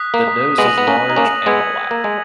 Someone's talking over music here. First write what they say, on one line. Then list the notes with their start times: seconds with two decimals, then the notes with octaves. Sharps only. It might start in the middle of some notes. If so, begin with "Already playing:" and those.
The nose is large and black.
Already playing: D#6 F#6 B6
0.14 A#3
0.58 G#3 B3 D#6 A#6 D#7 F#7
0.78 B3
0.87 A#3 C#4
1.10 D#4
1.16 A#3 C#4
1.46 G#3 B3 E6 G#6 C#7 F#7
1.91 A#3
2.04 G#3